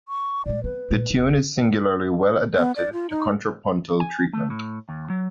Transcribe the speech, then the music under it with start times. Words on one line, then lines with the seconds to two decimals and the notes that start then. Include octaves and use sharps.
The tune is singularly well-adapted to contrapuntal treatment.
0.09 C#6
0.46 A#2 G#3 D5
0.64 B3 C4 B4
0.91 A#2
1.10 F1 C#2
2.58 B3
2.76 D5
2.93 F4
3.10 D#4
4.00 G#5
4.33 A3
4.50 A2
4.89 D#2
5.10 F#3